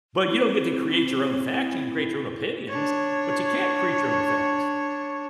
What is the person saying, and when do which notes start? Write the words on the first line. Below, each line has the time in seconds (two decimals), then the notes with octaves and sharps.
but you don't get to create your own facts. You can create your own opinions, but you can't create your own facts.
0.30 C4 E4
2.69 D4 C#5